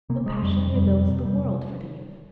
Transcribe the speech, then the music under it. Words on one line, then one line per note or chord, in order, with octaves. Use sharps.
The passion rebuilds the world for the youth.
C3 A#3
G#3
F2 G3
F2 G3
C3
G3